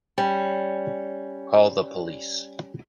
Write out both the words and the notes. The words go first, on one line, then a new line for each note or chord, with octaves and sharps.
Call the police.
G3 C#4